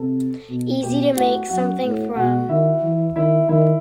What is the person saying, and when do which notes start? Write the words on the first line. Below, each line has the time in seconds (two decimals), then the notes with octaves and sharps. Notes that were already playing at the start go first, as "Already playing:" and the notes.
Easy to make something from.
Already playing: C3 A4 A5
0.50 B2
0.83 B2 G4 G5
1.16 A2 F#4 F#5
1.50 F#2 F#4 F#5
1.83 A2
2.16 B2 F#4 F#5
2.49 D#3 E4 E5
2.83 E3
3.16 D#3 E4 E5
3.49 D#3 E4 E5